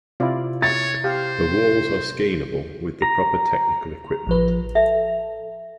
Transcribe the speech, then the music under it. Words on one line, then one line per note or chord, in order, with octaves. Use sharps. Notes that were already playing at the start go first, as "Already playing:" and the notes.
The walls are scalable with the proper technical equipment.
C3 E4 F4 C5 D5
C#5 A6
G4 C5 F5
A#5
A1 F3 B4
A4 E5